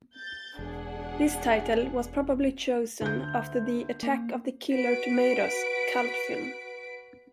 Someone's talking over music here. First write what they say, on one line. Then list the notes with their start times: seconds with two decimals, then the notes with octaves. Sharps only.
This title was probably chosen after the "Attack of the Killer Tomatoes" cult film.
0.15 G6 A6
0.59 E1 D4 G#4 F#5
3.01 D2 G6
4.03 A#3
4.71 F#4 B4 B6 D7